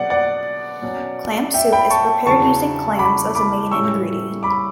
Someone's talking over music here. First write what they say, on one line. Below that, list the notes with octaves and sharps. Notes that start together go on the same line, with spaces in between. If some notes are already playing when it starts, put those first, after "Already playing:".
Clam soup is prepared using clams as a main ingredient.
Already playing: B2 F#3 B3 D5 F#5
D5 F#5
B2 F#3 C#4
E5 G5
G5 B5
A5 C#6
E2 C#3 F#3 A5 C#6
B5 D6
B5 D6
A2 G3 C#4 C#6 E6
B5 D6